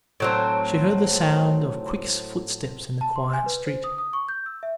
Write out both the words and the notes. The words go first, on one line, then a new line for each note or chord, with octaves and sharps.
She heard the sound of quick footsteps in the quiet street.
A2 F#3 C4
A5
C6
G#5
B4
C5
D#6
D#6
C#6
G6
E6
E5